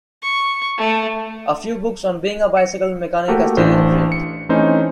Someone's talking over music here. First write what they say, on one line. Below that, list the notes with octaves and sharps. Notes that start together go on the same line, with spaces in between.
A few books on being a bicycle mechanic are still in print.
C#6
A3
C#7
A3 A#3 F#4 G4 A4 A#4
A1 E3 D4 C5 C6
C#7
E3 A3 C4 C#4 D#4 C5